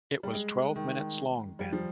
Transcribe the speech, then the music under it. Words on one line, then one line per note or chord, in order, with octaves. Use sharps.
It was twelve minutes long then.
G3
G#3
D#3
G3
F3